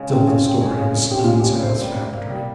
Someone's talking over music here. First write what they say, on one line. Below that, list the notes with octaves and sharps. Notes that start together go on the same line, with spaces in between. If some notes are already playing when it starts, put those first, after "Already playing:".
Still the story was unsatisfactory.
Already playing: C#3 G#3
C4 C#4
C#3
C4
G#3
C#3
G#3
C4 G4
F4
G#3
G4
C#3
A#3 C5
G3
C3
A#3
G3